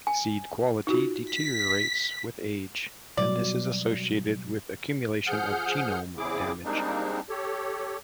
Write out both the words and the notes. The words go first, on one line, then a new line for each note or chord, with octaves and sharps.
Seed quality deteriorates with age, and this is associated with accumulation of genome damage.
G#5
D#4 F4 F#4
B6
B2 F#3 G3 D5
F3 G#4 F#5 F6 G6
E2 C#3 C4 E4 G#4 D6
G3 G#3 A#3 C4 D4 D#4
G4 A4 C#5